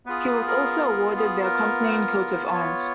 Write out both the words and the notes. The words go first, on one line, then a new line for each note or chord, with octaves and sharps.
He was also awarded the accompanying coat of arms.
B3 F4 G#4 B4
A#4
A#4
G#4
A#4
C#5